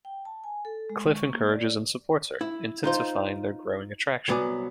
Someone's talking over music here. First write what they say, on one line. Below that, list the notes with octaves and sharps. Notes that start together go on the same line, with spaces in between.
Cliff encourages and supports her, intensifying their growing attraction.
G5
A5
G#5
A4
G#3
C#6
A#3
D5
E4
D#4 F4 C5
C2 F#3 B3 D5 G#5